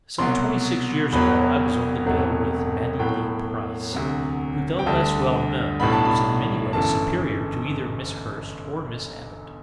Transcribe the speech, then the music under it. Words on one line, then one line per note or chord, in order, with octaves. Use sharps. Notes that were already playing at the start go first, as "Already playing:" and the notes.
Some twenty-six years ago I was on the bill with Mattie Lee Price, who, though less well known, was in many ways superior to either Miss Hurst or Miss Abbott.
C2 B2 F#3 C6
E1 E2 B2 F#3 B5
E1 E2 C3 F#3 A3
A2 F#3 B3 G5
D2 C3 F#3
G5
D2 D3 G3 A5
B1 A2 G3 B3 D4 B5
A5
B5
G1 F#2 E3 A3 A5